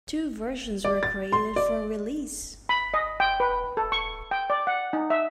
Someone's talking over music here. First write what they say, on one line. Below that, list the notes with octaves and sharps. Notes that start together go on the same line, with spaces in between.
Two versions were created for release.
D5
A6
C6
D5
B5
D#5
G5
B4
A4
C#6
G5
D5
F#5
D#4
E5